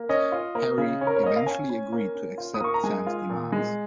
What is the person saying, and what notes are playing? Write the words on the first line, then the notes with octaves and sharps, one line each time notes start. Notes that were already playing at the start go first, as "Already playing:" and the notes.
Harry eventually agreed to accept Sam's demands.
Already playing: A#3
C#4 D#5
F4
A#3
C#3
C#4
A#4
C#5
A#3 D#5
F5
C#4 G#5
C#4
A#3
C#4
F4
D#6
A#3 C#6
A#5
G#3 G#5
F4
A#2
G#3